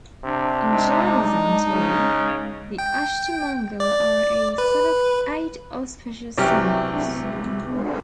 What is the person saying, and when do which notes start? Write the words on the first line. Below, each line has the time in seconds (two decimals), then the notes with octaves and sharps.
In Jainism too, the Ashtamangala are a set of eight auspicious symbols.
0.24 C3 D4
0.73 G#3 D#4
1.70 C#3
2.78 G5
3.80 D5
4.58 B4
6.38 C2 E3 F#3 G4 G5 F6